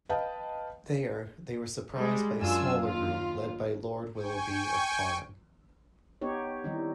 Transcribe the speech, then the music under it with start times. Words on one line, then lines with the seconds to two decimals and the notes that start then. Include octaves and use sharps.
There, they were surprised by a smaller group led by Lord Willoughby of Parham.
0.09 B4 D#5 F5 G5 A5
1.95 G3 G#3
2.39 F#2 D4 F4 G#5 E6
2.81 D#2 F4
4.14 G5 G#5 C#6
6.22 B3 D#4 G4 C#5
6.64 D#3 E3 G3 C4 D#4